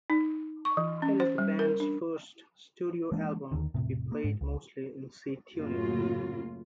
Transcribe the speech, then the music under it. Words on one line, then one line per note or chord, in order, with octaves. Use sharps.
It is the band's first studio album to be played mostly in C tuning.
D#4
C#6
E3
C#4
C5
G3
A#4
D4
E3 G#3 A#3 D4
D#2 D3 D#3
E1 A2 C3
A#3
G#2
C#2
F#2 A2 C#3 A#3 F4 F#4